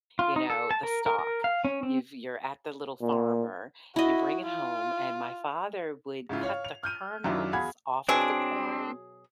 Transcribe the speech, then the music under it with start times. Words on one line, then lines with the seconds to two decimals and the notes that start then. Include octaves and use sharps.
you know, the stalk. You've you're at The Little Farmer, you bring it home, and my father would cut the kernels off of the corn,
0.19 F4
0.36 D#4
0.50 A4
0.71 A5
0.83 A#4
1.06 A#4
1.19 A#4
1.44 F5
1.65 C#4
1.83 C4
3.01 A#2
3.96 E4 F#4 D#5
4.46 F4
6.29 G#2 C#3 E4 F4
6.43 C#5 F5
6.65 F7
6.83 F6 G6 D#7
7.24 F#2 D#3 F#3 D4 E4 F4
7.53 E2 F#4 G#4 F5 B5 G#6
8.09 B2 F#3 C4 D4 G#4